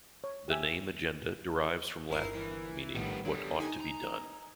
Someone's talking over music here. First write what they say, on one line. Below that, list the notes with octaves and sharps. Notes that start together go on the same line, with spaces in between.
The name Agenda derives from Latin meaning "what ought to be done".
C#5
G4 E5 G#5
G1 E4 A#4 C7
E3
A#1 A2 D#3 G3 B3
D3 F#3 G3
D#4 G#5
A#5